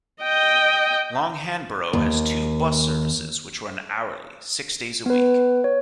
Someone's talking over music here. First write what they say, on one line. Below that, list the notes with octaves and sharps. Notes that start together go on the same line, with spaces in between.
Long Hanborough has two bus services, which run hourly, six days a week.
D#5 G5
D#2
B3 B4
C#5